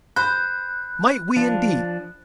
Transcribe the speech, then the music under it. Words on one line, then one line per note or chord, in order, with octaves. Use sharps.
Might we indeed!
C5 B5 F#6
F3 D4